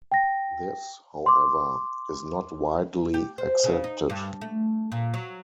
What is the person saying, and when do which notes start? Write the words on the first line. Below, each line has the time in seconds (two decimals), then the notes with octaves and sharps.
This, however, is not widely accepted.
0.12 G5 A#6
1.26 C6 D6
3.14 G4
3.38 C5
3.64 C#3
3.84 D#4
4.10 G2
4.41 A3
4.92 A#2
5.14 F#3